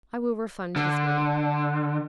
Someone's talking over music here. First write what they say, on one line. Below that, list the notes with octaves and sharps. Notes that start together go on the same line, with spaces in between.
I will refund his money.
D3